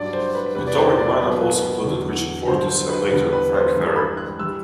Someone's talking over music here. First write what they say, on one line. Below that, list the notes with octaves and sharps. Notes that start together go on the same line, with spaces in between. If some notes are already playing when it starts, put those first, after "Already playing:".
The touring lineup also included Richard Fortus and later, Frank Ferrer.
Already playing: G2 F#3 D5
C5
B4
E2 C3 E3 G3 B4
D5
C5
D5
B2 F#3 B4
E2 D3 F#3
G2 D3 F#3 C5
C5
B4
E2 D3 G3 B4
B4
C5
G2 E3 G3
B5
F#6
E3 G3 E6